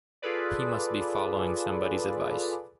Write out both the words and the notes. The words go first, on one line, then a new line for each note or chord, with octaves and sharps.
He must be following somebody's advice.
F4 G#4 A4 B4 D5